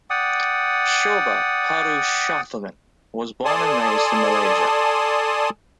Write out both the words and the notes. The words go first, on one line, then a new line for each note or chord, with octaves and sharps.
Shoba Purushothaman was born and raised in Malaysia.
D5 F#5 G5 D#6
A4 D5 G#5 A5 C6 D#6